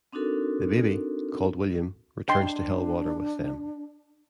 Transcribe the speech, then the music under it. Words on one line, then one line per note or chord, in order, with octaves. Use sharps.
The baby, called William, returns to Helwater with them.
C4 D4 D#4 F#4 A4 A#4
D4 D#5 G5 C6